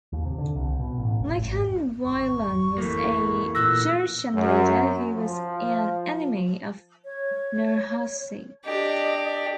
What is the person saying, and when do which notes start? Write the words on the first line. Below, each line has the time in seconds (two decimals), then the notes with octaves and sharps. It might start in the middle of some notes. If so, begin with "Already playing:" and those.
Nikan Wailan was a Jurchen leader who was an enemy of Nurhaci.
0.12 D#2
0.25 C3
0.38 D3
0.56 C2
0.79 B2
0.98 A1
1.19 F1
1.38 G#1
2.05 G#1 F2 C#6
2.78 E3 A3 A#3
3.55 A#2 E6 F#6 A#6
4.34 F#2
5.14 F3
7.05 C#5
8.65 D4 G4 D#5